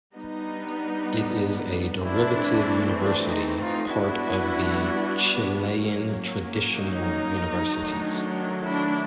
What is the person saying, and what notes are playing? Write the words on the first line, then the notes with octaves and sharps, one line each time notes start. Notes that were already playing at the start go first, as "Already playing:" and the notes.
It is a derivative university part of the Chilean Traditional Universities.
G3 B3 D4 D#4
E3 A3 C4 D4 E4
D4
D#4
D#4 F4
G3 B3 D4 E4 F#4
F#3 A#3 C#4
D#4
D#3 F#3 A3 D4
D4 E4